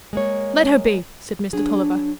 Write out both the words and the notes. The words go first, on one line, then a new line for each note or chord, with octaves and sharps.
"Let her be," said Mr. Tulliver.
G#3 A#3 C#5
F#3 D4 G#4